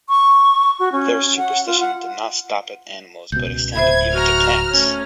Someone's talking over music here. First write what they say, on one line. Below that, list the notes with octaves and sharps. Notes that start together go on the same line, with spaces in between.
Their superstition did not stop at animals but extended even to plants.
C#6
F#4
C#4
F#5
F4
F#5
C#2 B2 G6
D1 C5 E5 B5 G#6
F#4 A#5 F6
A3 C#4